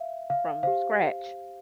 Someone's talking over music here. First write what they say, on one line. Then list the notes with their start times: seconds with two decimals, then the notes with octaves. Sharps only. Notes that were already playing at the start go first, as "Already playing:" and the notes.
from scratch.
Already playing: E5 F5
0.30 F5
0.63 G4 C5 F5